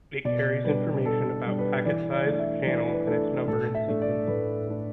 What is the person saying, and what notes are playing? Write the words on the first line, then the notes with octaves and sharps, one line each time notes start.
It carries information about packet size, channel, and its number in sequence.
B2 D5
G3 D4 B4
B2 A4
G3 D4
B4
E3 D5
D5
A3 D4
E5
E3 D5
B4
A3 D4 A4
A2 A4
E5
A3 D4
D5
A2 B4
A3 D4